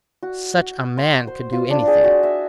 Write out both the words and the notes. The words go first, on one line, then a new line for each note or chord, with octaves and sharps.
Such a man could do anything.
F#4
C6
C5
F4
D4
G#4
F#4
E5